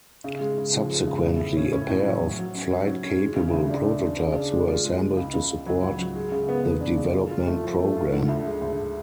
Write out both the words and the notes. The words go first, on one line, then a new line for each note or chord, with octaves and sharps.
Subsequently, a pair of flight-capable prototypes were assembled to support the development program.
C#3
G#3
C#3
F3
G#3
C#3
A2
A2
C#4
C#4
A2
F#3
F#3
F#3
C#4
F#3
C#4
C#4
G#3
C#3
D2
D4
D2
D4
C#3
D4
G#3
F4
G#3
G#3
C#2
C#2
C#2
F#3
C#2
F#3
G#3
C#3
B3
B3
D4
C#3
F4
F4
A3
F3
A3
F4
D3
D2
G#3
D2